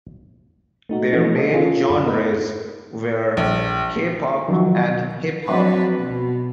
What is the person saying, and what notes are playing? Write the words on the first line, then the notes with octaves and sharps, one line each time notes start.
Their main genres were K-pop and hip-hop.
A3 D#4 F#4
E3 F3 A3 C#4 D#4 E4
A4 D#5
C#4 F4 G#4 A4
F#2 F4
B3 D#4 A#4 B4
A#1
D#3 F3 F#3
F3 F#3 C4 D4 B4
B2